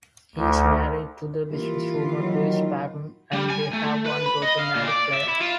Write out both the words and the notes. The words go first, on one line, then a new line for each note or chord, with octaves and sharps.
He is married to the businesswoman Louise Patten and they have one daughter, Mary-Claire.
D2
E3 G3 A#3 F4
D#3 F#3
G3
G#5
A3
B4
B5
D#5
F5
A#2
D5
E5
E4
F4